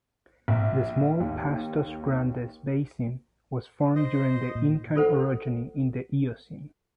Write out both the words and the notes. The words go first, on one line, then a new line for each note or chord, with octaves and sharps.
The small Pastos Grandes Basin was formed during the Incan orogeny in the Eocene.
A#1
D#2
C5 D#5
A#2
F4 A4 C5 F#5